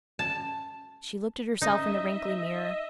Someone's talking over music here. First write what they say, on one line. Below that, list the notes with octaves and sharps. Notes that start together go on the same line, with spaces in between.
She looked at herself in the wrinkly mirror.
A5
D#4 D#5 E5